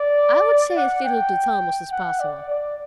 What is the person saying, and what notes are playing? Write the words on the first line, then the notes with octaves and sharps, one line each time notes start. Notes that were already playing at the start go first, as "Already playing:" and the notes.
I would say as little to Thomas as possible.
Already playing: D5
F#5
G5
F#5
D5
D5